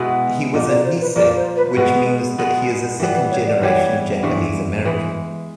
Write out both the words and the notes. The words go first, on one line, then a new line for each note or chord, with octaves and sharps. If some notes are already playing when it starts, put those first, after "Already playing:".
He was a "Nisei", which means that he is a second generation Japanese American.
Already playing: B2 G#3 B3 E4
A#2 F3 A#3 D#5
D5
C5
B4
A#2 F3 A#3 D5
C5
B4
B2 G#3 B3 B4
B2 G#3 B3
E3 G3 B3 A#4
B4
C#5
D5
E3 G3 B3 C#5
G2 E3 G#3
E3 G#3 B4